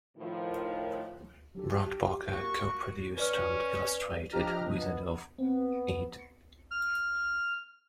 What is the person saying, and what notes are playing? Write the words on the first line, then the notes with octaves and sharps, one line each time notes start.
Brant Parker co-produced and illustrated "Wizard of Id".
A2 D#3 F3
F#3 D4 G4 A4
A#3 F4 F#4 C#6
C#4 B4 D5 F6
F3 D4 G4 D#5 A#5 F6
B3
B3 C4
F6